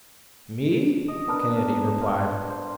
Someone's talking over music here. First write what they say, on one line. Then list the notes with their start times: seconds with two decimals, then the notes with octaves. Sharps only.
"Me?" the Canadian replied.
1.08 D#5
1.28 B3 D4 A#4
2.01 F4
2.49 C5